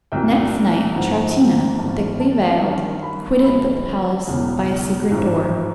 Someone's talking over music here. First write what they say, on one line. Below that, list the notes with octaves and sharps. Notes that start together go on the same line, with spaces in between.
Next night Troutina, thickly veiled, quitted the palace by a secret door.
C2 A#2 F#3 G5
G#1 G#2 F3 F#5
G5
G#1 G2 E3 G#3 B3 A5
A5
G1 G2 D#3 A#5
B5
G2 D3 F3 G#3 B5
E1 E2 C#3
A1 G#2 F3